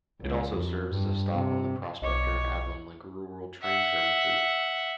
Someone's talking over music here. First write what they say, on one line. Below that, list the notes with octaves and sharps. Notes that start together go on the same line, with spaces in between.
It also serves as a stop on the Prospector and Avonlink rural train services.
C#2
F2
G2
C3
B1 B2 C#5 D#5 D6
E5 F#5